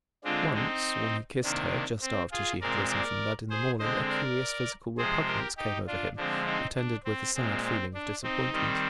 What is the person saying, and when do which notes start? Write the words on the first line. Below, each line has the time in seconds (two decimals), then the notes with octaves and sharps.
Once, when he kissed her just after she had risen from bed in the morning, a curious physical repugnance came over him, attended with a sad feeling of disappointment.
0.24 D3 G#3 C4 D4 F4
0.54 C4 D#4
1.43 C3 D#3 A#3 D4
2.02 C4
2.32 F4 G#4
2.61 A#2 G#3 C4 A#4 D5
2.91 A#4 D5
3.50 G#4 C5
3.79 D3 G#3 C4 C5 D#5
4.09 A#4 D5
4.98 C3 F3 G#3 C4 G#4 C5
5.27 G4 A#4
5.57 D#4 G4
5.87 D4 F4
6.16 D3 F3 G#3 C4 D4
6.46 C4 D#4
6.75 D4
7.05 C4
7.35 A#2 G#3 C4
7.64 C4
7.94 D4
8.23 C4 D#4
8.53 D#3 G3 C4